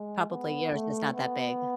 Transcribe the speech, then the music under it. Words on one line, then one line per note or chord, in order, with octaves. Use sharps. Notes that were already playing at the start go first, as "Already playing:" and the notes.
Probably yours is not that big.
Already playing: G#3
B3
A3
B3